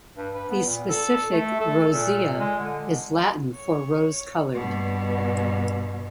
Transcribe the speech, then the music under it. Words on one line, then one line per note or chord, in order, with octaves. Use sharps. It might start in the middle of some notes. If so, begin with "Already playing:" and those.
The specific "rosea" is Latin for "rose-coloured".
G2
B4
B3
A#2
A4
A3
A4
A#2
G#3
D3
C#5
G2 B2